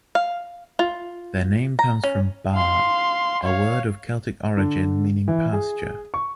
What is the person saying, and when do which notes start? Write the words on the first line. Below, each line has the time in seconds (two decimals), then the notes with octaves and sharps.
Their name comes from “bar”, a word of Celtic origin meaning pasture.
0.15 F5
0.79 F4
1.79 A#5
2.04 C#4
2.54 F5 C6
3.44 C#5 F5
4.57 D3
5.28 E3
5.53 G#4
6.14 C#6